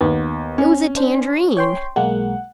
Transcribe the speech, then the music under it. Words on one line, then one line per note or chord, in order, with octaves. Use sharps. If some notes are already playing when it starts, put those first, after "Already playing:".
It was a tangerine.
D#2 B3
C#4
D4 C5
C#5 G5 C6
B1 G#3 A#3 F#5